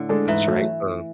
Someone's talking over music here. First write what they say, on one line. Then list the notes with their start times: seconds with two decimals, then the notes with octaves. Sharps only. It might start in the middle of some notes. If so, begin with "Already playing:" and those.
That's right, of
Already playing: A2 D3
0.09 G#3 D4 A4
0.28 G#2 E3
0.47 F#3 A3